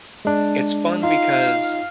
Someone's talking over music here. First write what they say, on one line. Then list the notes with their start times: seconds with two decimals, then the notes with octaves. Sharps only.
it's fun because
0.25 G#3 D4
1.03 D#4 F4 F5